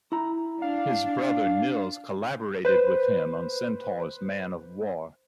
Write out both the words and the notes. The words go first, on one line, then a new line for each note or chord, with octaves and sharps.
His brother Nils collaborated with him on Centaur's Man of War.
E4 A#5
D4 F5
B4 C5